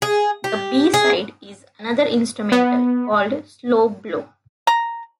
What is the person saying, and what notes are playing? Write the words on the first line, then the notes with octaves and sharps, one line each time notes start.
The B-side is another instrumental, called "Slowblow".
G#4
G4
G#4
B3
A#5